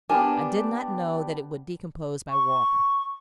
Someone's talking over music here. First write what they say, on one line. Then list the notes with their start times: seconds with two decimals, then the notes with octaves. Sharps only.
I did not know that it would decompose by water.
0.09 B3 D4 G4 A#4 D5 G#5
2.30 C#6